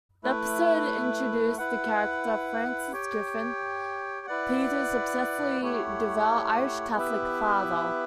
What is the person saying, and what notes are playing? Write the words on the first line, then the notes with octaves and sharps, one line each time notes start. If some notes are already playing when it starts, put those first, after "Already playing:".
The episode introduced the character, Francis Griffin, Peter's obsessively devout Irish Catholic father.
A3 E4 B4
E4 B4 F#5
G4 C#5 G5
E4 B4 D5 F#5
A3 E4 G4 C#5 F#5
B3 E4 G4 B4 E5